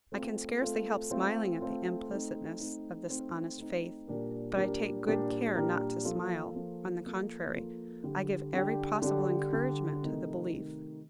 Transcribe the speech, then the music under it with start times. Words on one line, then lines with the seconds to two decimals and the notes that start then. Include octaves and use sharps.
I can scarcely help smiling at the implicitness of this honest faith; but I take good care not to smile; on the contrary, I give every possible encouragement to the belief.
0.12 A3 C4 F4 A4
0.61 A3 C4 F4 A4
1.10 A3 C4 F4 A4
1.60 A3 C4 F4 A4
2.10 A3 C4 D#4
2.60 A3 C4 D#4
3.09 A3 C4 D#4
3.58 A3 C4 D#4
4.07 A#2 G3 D4 G4 A#4
4.57 A#2 G3 D4 G4 A#4
5.07 A#2 G3 D4 G4 A#4
5.55 A#2 G3 D4 G4 A#4
6.05 F3 A#3 F4 A4
6.55 F3 A#3 F4 A4
7.05 F3 A#3 F4 A4
7.54 F3 A#3 F4 A4
8.04 D3 G3 D4 G4
8.53 D3 G3 D4 G4
9.02 D3 G3 D4 G4
9.52 D3 G3 D4 G4
10.02 C3 D#3 A3 D#4
10.50 C3 D#3 A3 D#4